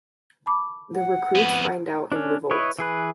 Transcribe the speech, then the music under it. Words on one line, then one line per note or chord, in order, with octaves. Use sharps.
The recruits find out and revolt.
A5 B5 D6
F#5
F2 B3
C#4 D4
E4 B4 C#5 D#5
E3 G#4 B4